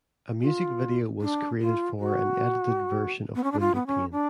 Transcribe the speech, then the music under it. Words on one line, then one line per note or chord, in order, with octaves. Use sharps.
A music video was created for an edited version of "Windowpane".
F4
D4
F4
F#4
B3
C#4
D4
F4
B3
C#4
D4